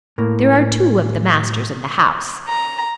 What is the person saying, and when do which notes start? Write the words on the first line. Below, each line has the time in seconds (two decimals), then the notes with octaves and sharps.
There are two of the masters in the House.
0.18 A2 A#3
2.46 A#5